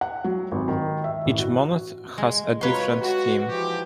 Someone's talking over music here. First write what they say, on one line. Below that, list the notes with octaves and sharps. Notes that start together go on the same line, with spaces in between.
Each month has a different theme.
F#5
F#3
G#1
D#3
E5
A1
F#4
G#3
F#3 F4 B4 C#5 C6
F#4
E3 F3 G4